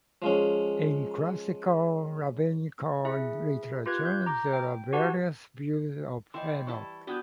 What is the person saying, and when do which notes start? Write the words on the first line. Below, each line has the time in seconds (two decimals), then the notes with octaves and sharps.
In classical Rabbinical literature, there are various views of Enoch.
0.22 F3 G#3 C#4
3.05 E4 G#4 E5
3.86 F4 G4 B4 F#6 G#6
4.05 G6
4.26 A#5 D6 G6
4.53 G5
4.93 F#4 G4 B4 F#5 A5
6.34 E3 D#5 E5 G5 C6
6.67 G3 E4 A5 C#6
7.07 B3 D4 F#4 G5 D#6 G6